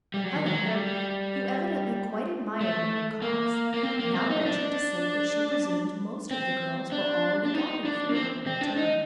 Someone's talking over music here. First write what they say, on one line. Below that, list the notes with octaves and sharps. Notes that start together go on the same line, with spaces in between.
Helen, who evidently quite admired Mary Cox, now ventured to say that she presumed most of the girls were already gathered for the Autumn term.
G3
F#3
D#3
F#3
A3
G3
A3
A#3
A#3
C4
A#3
C4
D#4
D#4
D4
C4
D4
D4
D#4
D4
A#3
C4
C4
D4
D#4